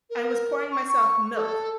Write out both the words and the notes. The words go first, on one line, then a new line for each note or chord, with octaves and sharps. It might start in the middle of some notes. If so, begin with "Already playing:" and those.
I was pouring myself milk,
A#4
C#6
C#6
A4